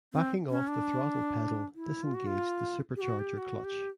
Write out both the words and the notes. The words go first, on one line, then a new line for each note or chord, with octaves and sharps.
Backing off the throttle pedal disengaged the supercharger clutch.
C4
C#4
D4
E4
F4
F#4
F4
G4
F#4
G4
F#4
G4